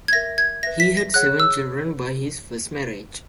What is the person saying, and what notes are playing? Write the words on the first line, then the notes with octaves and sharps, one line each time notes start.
He had seven children by his first marriage.
G#6
A#4 E5 A#6
G#6
B4 E5 A#6
B6
A#6
G#4 C#5 F#5 F#6
E6